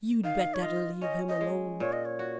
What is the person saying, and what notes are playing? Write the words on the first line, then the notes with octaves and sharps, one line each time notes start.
You'd better leave him alone.
D#3 F5
C#5
F4 D#5
C#4 D#5
D#5
G#3
A#2 C#5
D#5
C#5
F#4